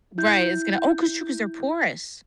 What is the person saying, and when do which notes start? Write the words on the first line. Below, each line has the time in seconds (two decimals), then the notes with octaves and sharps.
Right, it's gonna Oh, 'cause True, 'cause they're porous.
0.18 E4 G6